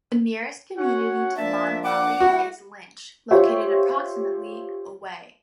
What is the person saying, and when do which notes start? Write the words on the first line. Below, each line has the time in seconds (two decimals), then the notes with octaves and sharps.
The nearest community to Monowi is Lynch, located approximately away.
0.76 C#4 F#4 C#5 F#5
1.36 F3 A#3 D4 E5 A5
1.83 F#5 D6
2.20 G3 E4 F#4
3.31 F4 G4 C5 C#5 E5